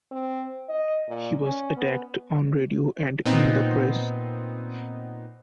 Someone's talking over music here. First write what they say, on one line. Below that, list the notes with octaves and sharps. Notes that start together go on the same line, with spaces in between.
He was attacked on radio and in the press.
C4
D#5
A#2
C#4
B3
A#2 B3 C4 D#4